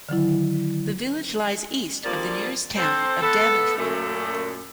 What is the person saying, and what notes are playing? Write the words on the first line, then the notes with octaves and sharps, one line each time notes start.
The village lies east of the nearest town of Daventry.
D3 D#3 F#3 E4
D2 F3 G3 A#3 C4 D5
C4 A4 C5
B3 A4
F#2 A#2 A3